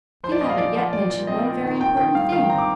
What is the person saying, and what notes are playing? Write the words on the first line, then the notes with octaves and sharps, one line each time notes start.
You haven't yet mentioned one very important thing.
F3 C5
D5
A#2 D#5
F5
A#2 D5
F3
F3 D5
A#2 D5
C4 D#5
A#2
D#3
C4 G5
D#3 G5
G2 F5
D#3 F5
G5
C4 A#5
D6